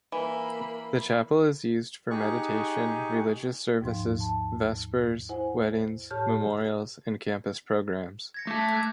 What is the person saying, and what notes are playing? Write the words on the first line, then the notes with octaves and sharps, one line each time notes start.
The chapel is used for meditation, religious services, vespers, weddings, memorials and campus programs.
E3 A#3 B5
D#4 G4 G#4 C#6 F#6
D#2 G#2 F3 C6
A5
E4 C5 F#5 G#5
A2 G4 C#5 A5 F6 G6
G#6 A#6 C#7
A3 A5 D6 G6
F#6
D6 F#6 G#6